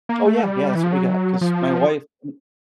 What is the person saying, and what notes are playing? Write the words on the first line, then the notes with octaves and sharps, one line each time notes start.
Oh yeah, yeah, that's what we got, 'cause my wife y
A#3
A3
G3
E3
F3
F#3
F3